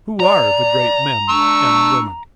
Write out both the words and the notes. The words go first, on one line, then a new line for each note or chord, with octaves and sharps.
Who are the great men and women?
D5 A#5
D4 C#6 E6